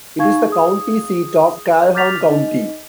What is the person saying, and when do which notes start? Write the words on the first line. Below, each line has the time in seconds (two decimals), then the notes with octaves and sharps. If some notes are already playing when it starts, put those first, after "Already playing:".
It is the county seat of Calhoun County.
0.19 D#4 F5 C#6 G#6
0.48 G#4 D#6
1.94 D6 F6 G6 A6 B6 F7
2.29 D#4 D#5